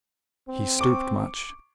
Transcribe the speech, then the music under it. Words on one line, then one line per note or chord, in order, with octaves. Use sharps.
He stooped much.
C4
C#6 D6 D7